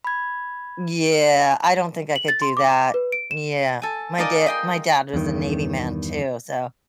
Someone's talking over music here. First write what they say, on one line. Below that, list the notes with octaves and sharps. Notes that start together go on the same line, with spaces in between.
Yeah, I don't think I could do that. Yeah, my da my dad was a Navy man, too, so
B5 G#6
F#7
A6
C6
D6
B4
D7
E7
A4 G#5
D#4 F4 G#4 A#4 D5 D#5
D#5 G5 C6
E2 G2 D#3